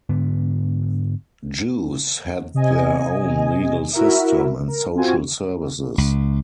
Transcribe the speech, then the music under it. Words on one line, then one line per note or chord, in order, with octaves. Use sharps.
Jews had their own legal system and social services.
G#2 D3 B3
C3 D#5 G#5
E4 F#4 A#4 E5
A#4
C4 F4 F#4 G#5
C#2